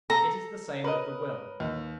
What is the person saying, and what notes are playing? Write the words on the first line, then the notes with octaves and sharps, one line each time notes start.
It is the same with the will.
A4 A#5
A#4 B4 C#5 D#5 B5
D#2